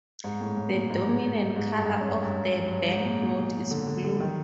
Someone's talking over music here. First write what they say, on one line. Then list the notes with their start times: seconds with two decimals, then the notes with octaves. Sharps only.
The dominant colour of the banknote is blue.
0.24 G#2
0.41 A2
0.57 A2
0.70 A2
0.73 A#2
0.90 G#2
1.56 G#2
1.78 G2
2.00 F#2
2.22 G2
2.44 F#2
2.66 G2
2.88 G#2
3.05 A#2
3.21 A#2
3.38 B2
3.71 D3
3.87 D3
4.04 D3
4.20 D#3